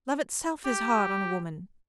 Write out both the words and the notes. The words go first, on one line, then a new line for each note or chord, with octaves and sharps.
Love itself is hard on a woman.
G4